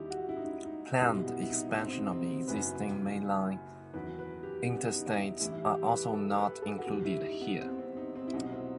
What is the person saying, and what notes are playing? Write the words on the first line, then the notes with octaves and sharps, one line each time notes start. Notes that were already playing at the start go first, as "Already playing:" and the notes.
Planned expansion of existing mainline interstates are also not included here.
Already playing: D#2 D#3 G3 D#4 E4 G4
F#4
E4
D#4
E4
D#4
C2 B2 G3 D#4
B3
E4
D#4
D#4
C4
D#4
C4
F#1 F#2 F#3 B4
E2 D#3 F#3 B4
B4
G4
B3
D#4
E4
A1 A2 E3 G3 E4
G4
B4
A4
B4
A4
F#4
D#2 D#3 G3 G4
E4
D#4
B3
C4
C4
D#4
C4
E4
C2 B2 F#3 D#4
C4